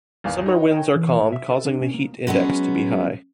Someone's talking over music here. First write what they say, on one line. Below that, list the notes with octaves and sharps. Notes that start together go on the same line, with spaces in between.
Summer winds are calm, causing the heat index to be high.
G#1 E2 F5
D#3 D#4 B4 C#5
D#3 G5 G#5
E3
A2
E5
A4
D4
C#4
A#3
F#3 G#3 B3 C#4